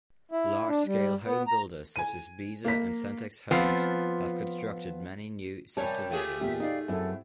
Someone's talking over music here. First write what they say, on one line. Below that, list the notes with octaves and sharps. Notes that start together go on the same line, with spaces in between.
Large-scale home builders such as Beazer and Centex Homes have constructed many new subdivisions.
E4
D4
G3
B3
A#5
G#5 D#7
A#3 B6
F3 B3 C4 F4
C3 G3 A#4 C#5 D5 G#5 A5
A3 F4 G4 G#4 G5
E2 A#2 G4 E5
D#4 D5 D#5 F5
F#2 C4 E4 A4